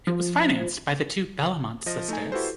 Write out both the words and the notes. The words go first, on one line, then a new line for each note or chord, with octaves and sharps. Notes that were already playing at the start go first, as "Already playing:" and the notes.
It was financed by the two "'Bellamont" sisters.
F3
F3 D#5 A#6
A3 D#4 G#5
E4 F#4 G4 A4 B4 C5